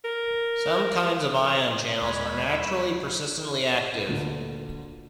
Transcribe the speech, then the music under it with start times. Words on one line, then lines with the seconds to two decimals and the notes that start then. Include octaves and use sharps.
Some kinds of ion channels are naturally persistently active.
0.05 A#4
2.02 D#2 G#3 C#5 B5
2.53 G3 E4
4.09 D2 A#2 D3